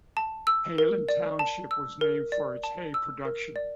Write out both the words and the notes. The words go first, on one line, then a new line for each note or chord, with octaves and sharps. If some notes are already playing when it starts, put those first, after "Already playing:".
Hayland Township was named for its hay production.
A5
E6
A#4
D5
A5
E6
A#4
D5
A5
E6
A#4
D5